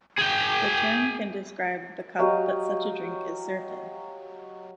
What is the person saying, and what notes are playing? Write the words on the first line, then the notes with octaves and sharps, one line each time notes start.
The term can describe the cup that such a drink is served in.
G#4 G5
F#3 G4 D#5 F5